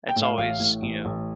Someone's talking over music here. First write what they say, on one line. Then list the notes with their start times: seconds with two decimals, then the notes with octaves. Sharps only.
it's always, you know,
0.09 G5
0.16 A2
0.23 F5
0.38 A1 F5
0.60 A2
0.82 A1
1.05 A1